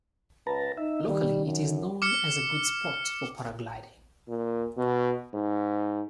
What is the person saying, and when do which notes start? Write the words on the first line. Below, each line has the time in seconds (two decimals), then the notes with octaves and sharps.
Locally it is known as a good spot for paragliding.
0.47 C#2 B4 A5 A#5
0.77 D#4 E5
1.08 D#3 G3
1.46 F#2
2.02 D6 F6 C#7
4.28 A#2
4.77 B2
5.34 G#2